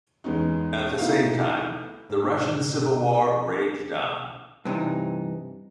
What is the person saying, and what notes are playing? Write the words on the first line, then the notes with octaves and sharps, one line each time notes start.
At the same time, the Russian civil war raged on.
E2 G#3 B3 C#4 D#4
A3 B3 D#4 E4 F#4 F5
G#2
G2 C3 E3 D#4